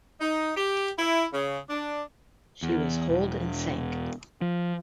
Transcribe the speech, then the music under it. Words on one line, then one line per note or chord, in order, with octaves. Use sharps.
She was holed and sank.
D#4
G4
E4
C#3
D4
E2
E1
F3